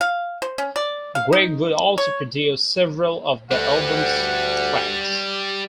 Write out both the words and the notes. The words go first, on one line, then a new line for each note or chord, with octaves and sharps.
Gregg would also produce several of the album's tracks.
F5
C5
C#4
D5
F5
D#4
C#5
D2 G3 B4 F#5